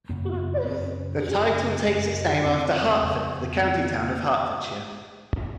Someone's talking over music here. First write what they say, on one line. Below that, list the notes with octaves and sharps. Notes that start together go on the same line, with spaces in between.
The title takes its name after Hertford, the county town of Hertfordshire.
F#2 C#3 A#3
B3
B3
B3
B3
F#2 C#3 C4
C#4
C#4
D4
F#2 C#3 C#4
F#2 C#3
F2 C#3 C4
F2 C#3
B3
F2 C#3 C4
B3